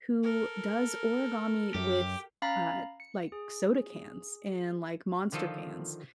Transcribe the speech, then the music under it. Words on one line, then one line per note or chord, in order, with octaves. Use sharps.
who does origami with, uh, like, soda cans and, like, Monster cans
A4 A#4
F#2 G4
C#4 F5 A#5 B5 A6
C#7
G#4
D3 D#3 F3 F4 A4